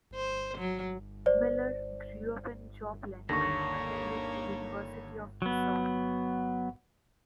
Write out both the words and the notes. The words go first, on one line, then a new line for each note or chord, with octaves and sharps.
Miller grew up in Joplin and attended the University of Missouri.
C5
F#3
C5 D5
D#2 D3 A#3 C#5 C#6 A#6
F#3 B3